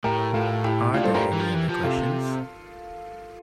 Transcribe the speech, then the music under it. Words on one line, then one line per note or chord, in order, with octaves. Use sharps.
Are there any other questions?
A2 G4 A#4
A2 F4 A4
E4 G4
A2 D4 F4
G2 A4 C5
A2 G4 A#4
E3
F3
E3
F3
C3 F4 A4